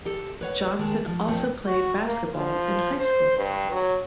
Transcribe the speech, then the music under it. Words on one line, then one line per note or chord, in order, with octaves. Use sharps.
Johnson also played basketball in high school.
G4 A4
B4 C#5 F#5
D#2 D#3 G#3 G4 G#4 A5
F3
A#2 F3 A3 C4
F#4
A#3
F3
C5
G2
F#3